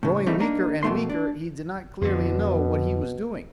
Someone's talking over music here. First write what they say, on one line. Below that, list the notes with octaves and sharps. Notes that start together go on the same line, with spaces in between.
Growing weaker and weaker, he did not clearly know what he was doing.
A2 C#3
E2 C#3 G3 A3 C4 D#4
A#3 D4 D#4 A#4
F2 B2 D#3 A3 A#3 C6
D4
F2 B2 D3